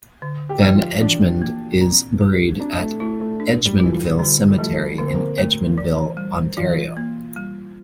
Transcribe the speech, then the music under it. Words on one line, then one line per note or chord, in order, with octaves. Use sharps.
Van Edgmond is buried at Egmondville Cemetery in Egmondville, Ontario.
D3
G4
F3
F4
E3 D4
A#3
C4
G4
C4 D4
A3
A3 E4
A3
D4
G3
E3 F4
F3
D3 G3
G3
F3 A3
D3 A#3
C4
A#3
A3
E3
G3
E3 F4
A#3
G3